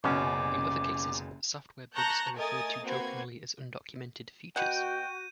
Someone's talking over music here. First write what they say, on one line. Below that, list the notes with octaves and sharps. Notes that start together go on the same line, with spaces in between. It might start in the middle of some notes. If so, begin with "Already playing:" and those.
In other cases, software bugs are referred to jokingly as undocumented features.
F#1 C2 F#2 B2 C#4 F#5 D6
A5 A#5 C#6 F#6 G6 A#6
A3 A#4 D#5 G#5 D#6 A6
A#3 C4 F#4 B4 C5 G#6
B2 F#4 F#5 G5 G6 D#7